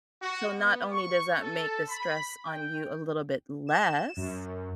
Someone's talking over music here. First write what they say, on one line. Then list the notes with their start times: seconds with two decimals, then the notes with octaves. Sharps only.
so not only does that make the stress on you a little bit less,
0.20 F#4
0.56 B3
0.92 C#6
1.40 A4
1.89 B5
2.46 G5
3.67 E7
4.17 F#2